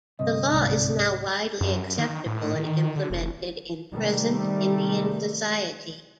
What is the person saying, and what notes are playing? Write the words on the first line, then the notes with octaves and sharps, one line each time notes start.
The law is now widely acceptable, and implemented in present Indian society.
D2 G2 C3 D#5
C2 G#2 D5
F#2
D#3
A2
D#3
D3
F1
C3 D#3 G3 A3